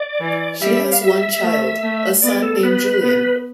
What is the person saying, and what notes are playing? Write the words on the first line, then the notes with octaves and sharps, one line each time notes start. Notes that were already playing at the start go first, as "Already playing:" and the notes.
She has one child, a son named Julian.
Already playing: D5
E3
G3 E5
F5
E5
A3
A3
B3 D5
A4
B3 B4
B3